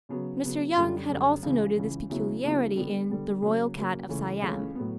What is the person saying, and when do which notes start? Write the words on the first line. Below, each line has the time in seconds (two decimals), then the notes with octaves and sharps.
Mr. Young had also noted this peculiarity in "the Royal cat of Siam."
0.09 C#3 F#3 B3
0.43 C#3 F#3 B3
0.76 F#2 D3 G3
1.09 F#2 D3 G3
1.43 C#2 C#3 E3
1.76 C#2 C#3 E3
2.10 D#2 C#3 F#3 B3 E4
2.42 D#2 C#3 F#3 B3 E4
2.76 D3 G3 B3
3.09 D3 G3 B3
3.42 C#3 F#3 A#3
3.76 C#3 F#3 A#3
4.09 C#2 C#3 E3 A3 C#4
4.42 C#2 C#3 E3 A3 C#4
4.75 A2 F#3 B3